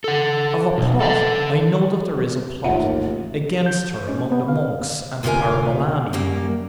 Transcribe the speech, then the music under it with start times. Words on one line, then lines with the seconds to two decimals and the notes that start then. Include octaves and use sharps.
'Of a plot--I know that there is a plot--against her among the monks and Parabolani.
0.04 A4 F#5
0.78 B1
1.01 A4 F#5
2.64 A1 D#2 G#2 C#3 F4 E5 F#5
3.66 G6
4.09 C#4
4.32 B3
4.48 F5
5.23 D2 C3 C#4 F4 A#4 G#5
6.13 F#2 C#3 G3 A#3 A#4